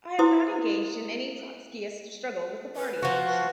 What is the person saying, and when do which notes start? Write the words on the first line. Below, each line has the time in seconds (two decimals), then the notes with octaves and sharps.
I have not engaged in any Trotskyist struggle with the party.
0.19 E4 B4 C5 C6 D6 D#6
2.76 B4
3.03 F3 F#4